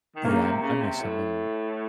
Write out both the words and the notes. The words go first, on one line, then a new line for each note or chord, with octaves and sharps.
Yeah, I I miss him and
D#3
C#3 A#3
C3
C#3
C3
A2